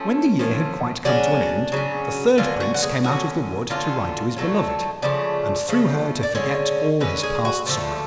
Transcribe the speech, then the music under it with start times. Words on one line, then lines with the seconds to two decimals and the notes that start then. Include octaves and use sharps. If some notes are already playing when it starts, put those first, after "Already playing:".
When the year had quite come to an end, the third Prince came out of the wood to ride to his beloved, and through her to forget all his past sorrows.
Already playing: F3 A3 C#4
0.39 F3 A3 C#4
1.05 C#3 F#3 C#4 D4
1.72 C#3 F#3 C#4
2.38 D3 F#3 C#4 F4
2.60 F#4
2.74 F#4
2.83 G#4
3.03 D3 F#3 C#4 F#4
3.70 D3 F#3 A3 C#4 F4
4.36 D3 F#3 A3 C#4
5.02 C#3 F3 A3 D5
5.69 C#3 F3 A3
6.23 D5
6.35 D3 G#3 C#4 C#5
7.00 D3 G#3 C#4 B4
7.23 G#4
7.45 F#4
7.66 D3 F3 A3 F4